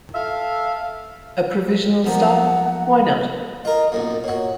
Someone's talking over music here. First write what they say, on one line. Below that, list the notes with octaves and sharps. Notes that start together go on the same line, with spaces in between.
A provisional stop, why not?
A4 E5 F5
B1 F3 A#3 F#5
F4 A#4 D#5
B1 F#2 A#2 D#5
A#2 F#4 C#5